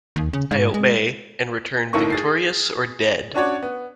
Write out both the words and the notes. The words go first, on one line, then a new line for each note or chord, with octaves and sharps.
I obey, and return victorious or dead!
D#2
C#3
G#2
G#3
G1 A2 A3 A#3 D#4 C#6
G#4 A6 C7
C#4 D4 F#4 C#5 D5
B3